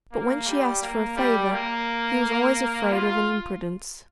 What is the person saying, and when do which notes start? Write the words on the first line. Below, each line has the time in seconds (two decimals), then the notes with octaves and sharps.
But when she asked for a favour, he was always afraid of an imprudence.
0.12 A#3
0.47 G3
0.82 A#3
1.17 G3
1.52 A#3
2.93 F4